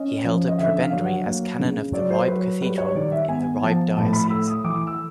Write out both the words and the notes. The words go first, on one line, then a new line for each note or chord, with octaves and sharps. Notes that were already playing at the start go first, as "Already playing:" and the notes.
He held a prebendary as canon of the Ribe Cathedral in the Ribe diocese.
Already playing: C#4 D#5
F3
D#5
D3 E5
F5
F#3
F#5
A#3
C#3
F#3 D5
C5
F#3 B4
G3 B4
C#5
D#3 D5
E5
B3 G#5
F3 A5
A2 A5
B5
A3 E6
D#6
E3 D6
E6